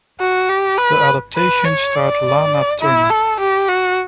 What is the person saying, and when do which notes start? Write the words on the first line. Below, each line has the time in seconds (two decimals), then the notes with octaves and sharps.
The adaptation starred Lana Turner.
0.20 F#4
0.49 G4
0.78 B4
1.36 B4
1.65 C#5
1.94 D5
2.81 E4
3.10 A4
3.40 G4
3.68 F#4